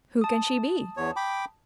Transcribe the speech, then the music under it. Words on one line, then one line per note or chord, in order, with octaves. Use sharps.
Who can she be?
A5 D#6
E2 C#5
G5 B5 D6